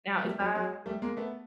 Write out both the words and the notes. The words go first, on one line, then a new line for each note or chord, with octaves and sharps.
Now, is that
G3 A3
F#3 G#3
F#3 G#3
G3 A3
G#3 A#3
A3 B3